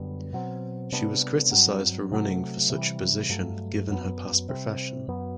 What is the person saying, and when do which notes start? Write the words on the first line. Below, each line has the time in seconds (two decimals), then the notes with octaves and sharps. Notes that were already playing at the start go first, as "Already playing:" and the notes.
She was criticized for running for such a position, given her past profession.
Already playing: F#2 D3 G3 B3
0.33 B2 F#3 C4
0.92 C3 G3 B3 D4
1.51 G2 F#3 C4
2.11 C3 F#3 A3
2.70 C3 E3 G3
3.29 G2 F#3 A3
3.89 F#2 F#3 B3
4.48 C3 G3 C4
5.08 F#2 F#3 B3